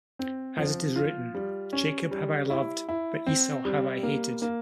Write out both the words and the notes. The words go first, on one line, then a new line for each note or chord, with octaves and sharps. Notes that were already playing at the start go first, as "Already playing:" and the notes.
As it is written, Jacob have I loved, but Esau have I hated.
C4
F3
F4
G3
C#4
G3
E4
E4
C4
G3
A#3
A#3